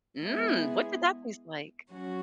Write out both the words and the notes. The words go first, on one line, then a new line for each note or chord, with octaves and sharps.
Mm! What did that taste like?
G#3 B3 E4 G#4
F#3 C#4 F#4